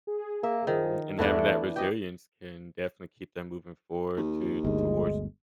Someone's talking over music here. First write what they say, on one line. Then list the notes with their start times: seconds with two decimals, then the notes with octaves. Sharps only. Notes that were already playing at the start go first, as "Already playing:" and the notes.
Mhm. And having that resilience can definitely keep them moving forward to towards
0.07 G#4
0.43 A#3 E5
0.67 D#3 F3
1.19 E2 E3 A3 B3 D4
1.76 G4 B4 D#5 G5 G#5
4.17 D#2
4.65 G1 D2 G#3